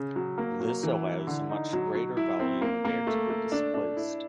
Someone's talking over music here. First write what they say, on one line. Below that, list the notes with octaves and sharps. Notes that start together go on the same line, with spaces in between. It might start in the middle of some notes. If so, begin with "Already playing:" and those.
This allows a much greater volume of air to be displaced.
Already playing: C#3
F#3
A#3
F#3
E3
E4
D3
D#4
F#3
F#3
E4
C4
A#3
A#3
A3
A3
D4
D4
E4